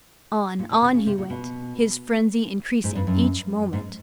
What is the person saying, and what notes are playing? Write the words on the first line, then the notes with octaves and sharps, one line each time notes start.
On--on he went, his frenzy increasing each moment.
A#2
B2
C3
C#3
C3
A#2
B2
G#2
G2
F#2
G#2